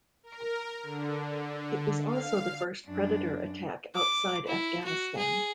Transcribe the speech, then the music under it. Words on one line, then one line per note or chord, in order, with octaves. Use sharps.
It was also the first Predator attack outside Afghanistan.
A#4
D3
F5
F#2 D4
D6
E4
F#4
G#4